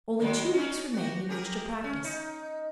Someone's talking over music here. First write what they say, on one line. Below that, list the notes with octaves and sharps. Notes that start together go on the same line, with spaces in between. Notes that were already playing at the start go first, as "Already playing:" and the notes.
Only two weeks remained in which to practise.
D#3 F#3 G#3
C#4 D#4
F#4 G4
G4 G#4 A#4
C#4
D#4